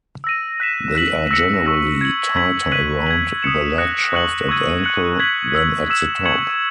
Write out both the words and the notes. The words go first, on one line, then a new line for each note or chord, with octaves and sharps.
They are generally tighter around the leg shaft and ankle than at the top.
E6 A#6 D#7
F#6 B6 E7
F#6 B6 F#7
E6 A#6 C#7 F#7
C#6 E6 A#6
G#6 C#7 F#7
G#6 B6 F#7
F#6 B6 D#7 F#7
G#6 D#7 F#7
D#6 G#6 C#7 E7
D#6 F#6 A#6 C#7
C#6 F#6 C#7 F#7
C#6 E6 G#6 D#7
F#6 C#7 F#7
G#6 B6 F#7
E6 B6 F#7
E6 B6 E7
C#6 G#6 C#7 F#7